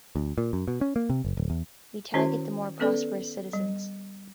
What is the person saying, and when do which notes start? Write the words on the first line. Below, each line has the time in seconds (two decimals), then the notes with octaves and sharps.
We target the more prosperous citizens.
0.16 D2
0.38 A#2
0.53 F#2
0.68 B2
0.81 C#4
0.96 A#3
1.10 C3
1.25 F#1
1.37 D1
1.50 E2
2.14 D#3 C#4 E4 F#4 C5 C#5
2.80 B3 C#4 A4 B4 D5
3.53 G3